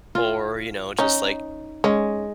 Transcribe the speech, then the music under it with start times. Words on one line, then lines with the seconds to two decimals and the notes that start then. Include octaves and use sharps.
or, you know, just, like,
0.15 F4
0.99 C#4 D#4
1.84 G#3 C#4